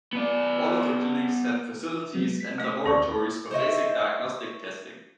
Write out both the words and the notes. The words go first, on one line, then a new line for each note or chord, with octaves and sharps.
All of the clinics have facilities and laboratories for basic diagnostic testing.
B3 D5
F#3 G#3 B3
B6
A3 D#5
D#2 C#4 D5 C#6
C5 C#5 D#5 E5